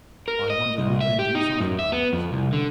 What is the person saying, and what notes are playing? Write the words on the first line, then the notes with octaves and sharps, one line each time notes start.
I wonder who'd lend you five pounds?
A#4
D#5
C2
E5
G4
D#4
F#2
E5
B3
F2
C2
D3